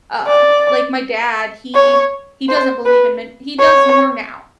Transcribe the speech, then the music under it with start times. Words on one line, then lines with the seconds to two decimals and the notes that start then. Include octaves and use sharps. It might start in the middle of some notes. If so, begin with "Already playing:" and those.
Uh, like my dad, he he doesn't believe in men he does more now,
0.27 D5
1.75 C#5
2.49 C5
2.85 B4
3.60 C#5